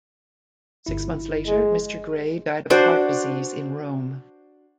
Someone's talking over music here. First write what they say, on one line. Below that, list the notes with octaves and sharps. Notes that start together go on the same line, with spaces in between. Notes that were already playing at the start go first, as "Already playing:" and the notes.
Six months later, Mr. Gray died of a heart disease in Rome.
G1 E4
G#3
D4 F#4 C5 D5